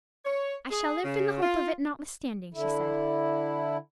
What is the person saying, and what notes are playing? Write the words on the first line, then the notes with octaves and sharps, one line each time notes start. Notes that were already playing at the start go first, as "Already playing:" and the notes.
"I shall live in the hope of it, notwithstanding," she said.
C#5
G#4
C#3
F4
D3 E4